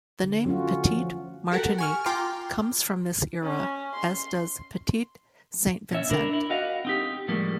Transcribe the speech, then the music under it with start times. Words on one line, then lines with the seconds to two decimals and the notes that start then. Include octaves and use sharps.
The name "Petit Martinique" comes from this era, as does Petit Saint Vincent.
0.24 D3
0.46 F#3 A3 C#4 F4 F#4
0.89 F3
1.52 F#4 G4 A4 A#4 F#5
1.78 G#5 C#6 F6
2.06 F4 G5 A#5 C6 D6 F6
3.43 C#4
3.94 C6
5.91 A#2 C#4 E5
6.10 D4 E4 A#4
6.33 E4
6.50 F#4 D#5 F5
6.85 C4 D#4 G4
7.28 A2 F3 G3 G#3 A#3